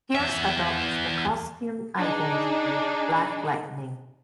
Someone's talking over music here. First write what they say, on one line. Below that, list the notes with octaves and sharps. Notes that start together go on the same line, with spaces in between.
Pierce adopts the costumed identity "Black Lightning".
E2 E5
D4 D#4 G#4